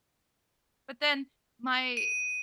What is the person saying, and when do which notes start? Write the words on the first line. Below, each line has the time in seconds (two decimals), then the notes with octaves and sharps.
but then my
1.97 D#7